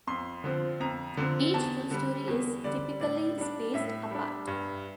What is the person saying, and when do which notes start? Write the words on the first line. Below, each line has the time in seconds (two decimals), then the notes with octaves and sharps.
Each full story is typically spaced apart.
0.07 F2 C6
0.44 D3 F3 C4
0.80 F2 A#5
1.17 D3 F3 C4
1.54 E2 A5
1.91 D3 G3
2.27 E2
2.64 D3 G3 D5
3.00 A2 D5
3.37 G3 D4
3.74 A2 E5
4.11 G3 D4
4.47 G2